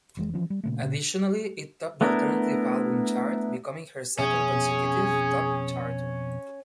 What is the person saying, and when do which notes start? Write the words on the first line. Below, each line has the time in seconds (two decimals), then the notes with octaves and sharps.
Additionally it topped the alternative album chart becoming her second consecutive top charter.
0.17 F1 E3 G#3
0.34 E3 F3 C#4
0.50 G3
0.64 A#2 C#3 A3
0.82 A#2 C#3
2.01 A3 B3 D4 E4 A#4
4.18 F2 B2 C#4 G#4 E5